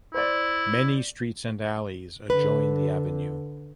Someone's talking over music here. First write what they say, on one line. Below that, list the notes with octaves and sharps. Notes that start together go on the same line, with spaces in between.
Many streets and alleys adjoin the avenue.
E4 C5 D5
D3 B4